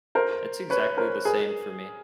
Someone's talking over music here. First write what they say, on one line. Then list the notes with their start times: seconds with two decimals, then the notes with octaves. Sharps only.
It's exactly the same for me.
0.15 A#4 C5
0.70 B4 C#5
0.97 A#4 C5
1.25 G#4 A#4